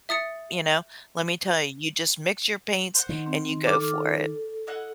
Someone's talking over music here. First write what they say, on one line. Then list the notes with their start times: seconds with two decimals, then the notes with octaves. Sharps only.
you know? "Let me tell you. You just mix your paints and you go for it."
0.09 E5 D#6 A6 C#7
2.94 C5 F#5
3.09 D#3
3.26 C4
3.67 A4 D6 F6
4.67 E4 D#5 F#5